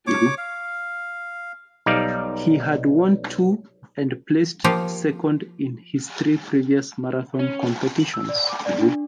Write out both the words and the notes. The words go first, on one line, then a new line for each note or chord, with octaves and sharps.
He had won two and placed second in his three previous marathon competitions.
C#5 D6
F5
B1 G3 D#4 D5 F5
F3 A#3 F4 G4
C#4
F#7
E6
D5
D6
D5
D4